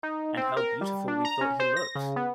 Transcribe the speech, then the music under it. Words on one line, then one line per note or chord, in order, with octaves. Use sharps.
And how beautiful we thought he looked!
D#4
C4
A#4
G3
D4
A#5
C#4
C5
A#6
C#3
B3